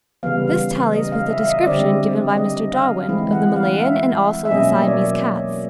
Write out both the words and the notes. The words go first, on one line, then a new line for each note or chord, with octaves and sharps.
This tallies with the description given by Mr. Darwin of the Malayan and also the Siamese cats.
C#3 E3 G3 B3 F5
D#5
F5
E5
E5
D#5
D3 G3 C4 D5
D#5
F5
E3 G#3 C4 E4
F#5
F5
E5
E5
B2 F#3 A#3 C#4 D#5
C#5
D5